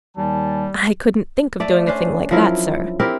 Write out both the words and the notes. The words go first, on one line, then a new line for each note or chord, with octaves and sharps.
"I couldn't think of doing a thing like that, sir."
D#2 G3 G#5 A5
A3 D5
C#4 D4 C5
F3 F#3 E4 A#4
C4 E4 G4 A#4